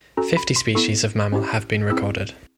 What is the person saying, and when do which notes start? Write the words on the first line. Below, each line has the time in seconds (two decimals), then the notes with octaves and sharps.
Fifty species of mammal have been recorded.
0.17 C#4 F#4 A4 A#5
0.37 B5
0.56 C6
0.75 B3 E4 A4 C#6
1.32 C#4 E4 G4
1.90 C4 E4 G#4 E6